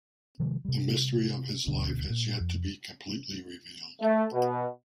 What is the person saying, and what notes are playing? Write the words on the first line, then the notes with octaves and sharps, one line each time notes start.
The mystery of his life has yet to be completely revealed.
C3 D#3 F3 G#3
C3 G3
D#1 D2 B2 D3
A#2
F2
A3
B2